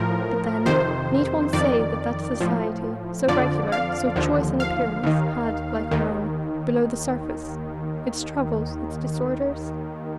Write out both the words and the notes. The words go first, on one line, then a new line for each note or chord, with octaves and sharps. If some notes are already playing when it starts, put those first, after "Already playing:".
But then, need one say that that society, so regular, so choice in appearance, had, like our own, below the surface, its troubles, its disorders?
Already playing: A2 F3 A#4
F2 C3 D#3 C5
F2 D#3 D5
A2 F3
F2 D3 F3 D5
F5
D#2 D3 F3
F5
D#2 D#3
D#2 D#3